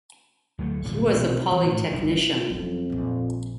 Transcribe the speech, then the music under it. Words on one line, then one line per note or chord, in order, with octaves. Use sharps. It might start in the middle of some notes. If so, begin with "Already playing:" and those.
He was a Polytechnician.
D2 F#3 A3
G#1 A#2 D3 F3
B1 C4
D#1 E3
G#2
F#1 C2 D4
F2 F#3 C#4
A#1 A#2